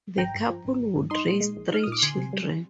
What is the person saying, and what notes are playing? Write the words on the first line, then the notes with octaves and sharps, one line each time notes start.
The couple would raise three children.
G#1 G5 A#5
G2
F3
G#1
G#1
G2
D#4 C6 D#6
A#2
G#3
A#1
D#4 F6
A#2 D#6
D6
D2 G#5 C6
C3
G3